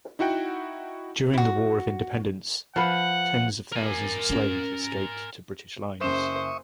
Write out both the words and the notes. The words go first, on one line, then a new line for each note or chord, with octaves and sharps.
During the War of Independence, tens of thousands of slaves escaped to British lines.
D#4 E4 F#4 F#5 G5
E4 F#4
F3 B4 F#5
A#4 G#5
C#4
F#1 C#3 C5 E5 C#6 D#6 E7